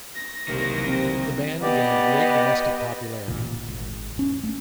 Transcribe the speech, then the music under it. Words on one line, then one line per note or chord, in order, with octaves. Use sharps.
The band gained great domestic popularity.
A#6
F#1 C2 D#3 E3 A#3
C4
B3 G4 D5 D#5
A1 D2 A#2
G#1
E1 C#4
A3